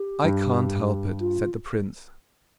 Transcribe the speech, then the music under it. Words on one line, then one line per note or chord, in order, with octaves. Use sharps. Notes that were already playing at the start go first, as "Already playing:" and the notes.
"I can't help it," said the prince.
Already playing: G4
G2
F4